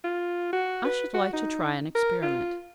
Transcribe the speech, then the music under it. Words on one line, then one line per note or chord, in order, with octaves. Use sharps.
I should like to try an experiment.
F4
F#4
B4
F#4
D#4
A#4
F4